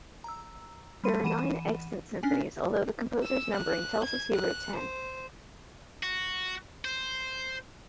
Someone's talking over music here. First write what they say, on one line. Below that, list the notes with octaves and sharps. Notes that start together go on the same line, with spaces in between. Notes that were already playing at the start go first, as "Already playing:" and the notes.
There are nine extant symphonies, although the composer's numbering tells us he wrote ten.
A#5 E6
G3 B5 C6 D#7
E3 F#5 B5 D#7 E7
C#4 D4 G#5
E6
F#6
G#6
F#6
C5
F#4
C5